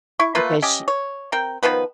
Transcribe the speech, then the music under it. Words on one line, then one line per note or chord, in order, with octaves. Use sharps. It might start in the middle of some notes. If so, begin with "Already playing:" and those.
because sh
E4 C#6
A3 A#3 F4 B4
C#4 G4 D#5
C#5
C4 A#4 G5
D#3 F3 B3 B4